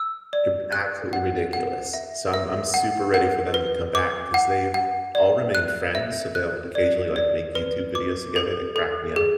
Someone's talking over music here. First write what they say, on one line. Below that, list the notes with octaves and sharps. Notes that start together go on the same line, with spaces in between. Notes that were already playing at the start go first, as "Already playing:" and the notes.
ew absolutely ridiculous. So, I'm I'm super ready for them to come back, 'cause they've all remained friends, so they'll occasionally, like, make YouTube videos together that crack me up.
Already playing: E6
D5
F#6
F#5
F#5
E5
E5
F#5
F#5
B4
D6
F#5
F#5
D5
F#6
E5
F#6
D5
D5
B4
D6
A4
A4
G#4